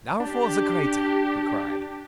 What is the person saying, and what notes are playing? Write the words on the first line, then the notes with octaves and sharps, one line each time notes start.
"Now for the crater!" he cried.
D4 G4